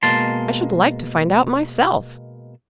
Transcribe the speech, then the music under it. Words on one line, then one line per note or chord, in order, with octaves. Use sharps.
"I should like to find out myself."
B2 G#3 A#3 A5 C6